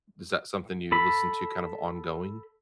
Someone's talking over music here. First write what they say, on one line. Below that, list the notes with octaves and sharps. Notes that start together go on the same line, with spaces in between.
is that something you listen to kind of ongoing?
A4 B5